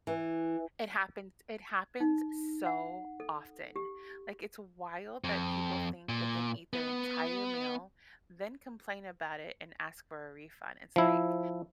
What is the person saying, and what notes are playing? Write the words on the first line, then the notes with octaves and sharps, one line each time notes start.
It happened it happens so often, like, it's wild that people think they can eat their entire meal, then complain about it and ask for a refund, it's like
E3
D#4
F#5
A4
G4
F2
A#2
B3
F3 E4